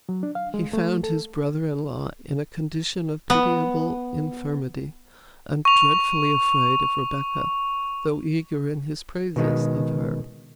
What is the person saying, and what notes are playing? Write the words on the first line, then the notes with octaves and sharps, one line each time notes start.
He found his brother-in-law in a condition of pitiable infirmity--and dreadfully afraid of Rebecca, though eager in his praises of her.
F#3
D4
F5
G#3
A3
A4
B3
C#6 F7
B2 D#3 G#3